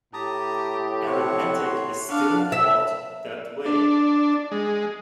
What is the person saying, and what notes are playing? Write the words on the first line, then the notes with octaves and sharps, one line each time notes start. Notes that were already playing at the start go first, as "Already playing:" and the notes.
Arithmetic is still taught that way.
A2 G4 A5 A#5 D#6
C4 C#5 F#5
C#5 C6
D4 A4 F5 F#5
E5
D4
G#3